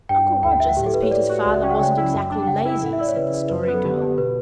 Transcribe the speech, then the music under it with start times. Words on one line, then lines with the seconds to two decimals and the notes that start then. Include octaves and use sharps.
"Uncle Roger says Peter's father wasn't exactly lazy," said the Story Girl.
0.09 G2 G5
0.26 G2
0.43 D2 G5
0.51 F#5
0.60 D2 E5
0.69 F#5
0.77 A2 G4
0.86 A4
0.94 A2 B4
1.03 C#5
1.11 A2 D5
1.29 F#4
1.45 C#2 D5
1.54 E5
1.63 C#4 G5
1.71 F#5
1.79 C#3 G5
1.97 E4
2.14 F#2
2.31 D4
2.43 G5
2.47 C#3 F#5
2.65 E4
2.82 A2 F#5
2.93 E5
2.99 E4 D5
3.08 C#5
3.16 C#3 B4
3.33 C#3
3.50 F#2 B4
3.63 B3 B4
3.74 A4
3.84 D3 G4
4.01 D3 G4
4.18 B2 B4